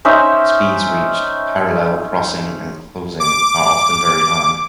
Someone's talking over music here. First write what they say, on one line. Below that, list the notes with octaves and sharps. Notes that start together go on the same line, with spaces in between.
Speeds reached, parallel, crossing and closing, are often very high.
C#4 D#4 C5 E5
D6